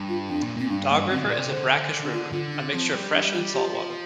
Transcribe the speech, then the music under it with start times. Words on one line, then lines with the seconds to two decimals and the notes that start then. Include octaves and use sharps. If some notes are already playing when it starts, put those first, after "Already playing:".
Dog River is a brackish river - a mixture of fresh and saltwater.
Already playing: G2
0.09 F4
0.29 F2 D4
0.42 A#2
0.56 A#2 C4
0.69 G2 D4
0.90 A#3
1.10 D3 C4
1.23 A#2
1.30 D5
1.38 C3
1.51 D3 C5
2.02 D4
2.12 F4
2.32 D3 F4
2.52 D4
2.73 F3 C4
2.93 G3
3.13 D4
3.34 F4
3.54 F3 G4